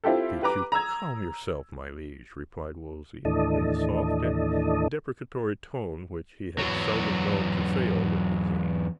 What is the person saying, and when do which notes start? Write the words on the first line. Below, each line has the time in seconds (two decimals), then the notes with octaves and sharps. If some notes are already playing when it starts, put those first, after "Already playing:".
"Beseech you calm yourself, my liege," replied Wolsey, in the soft and deprecatory tone which he had seldom known to fail with the king.
0.04 C4 E4 F4 G4 A4
0.42 G4 B4 A#5 D6
0.72 A#5 D#6 E6 G#6
3.25 D#2 A2 E3 D4 A4 D#5
6.59 E2 F#3